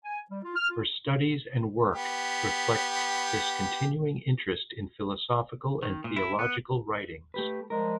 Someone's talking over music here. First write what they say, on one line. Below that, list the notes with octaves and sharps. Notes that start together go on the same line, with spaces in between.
Her studies and work reflect this continuing interest in philosophical and theological writings.
G#5
G3
F4
F6
F4
B3 G4
D#3
A#2
E4
B3
A3 G4 B4
F3 G3 G#3 A#4